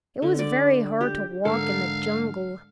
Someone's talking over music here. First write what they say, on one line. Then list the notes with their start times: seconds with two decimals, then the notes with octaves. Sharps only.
It was very hard to walk in the jungle.
0.22 D3
0.39 D5
1.01 G4
1.45 G#2 D3 A4 A#4 F5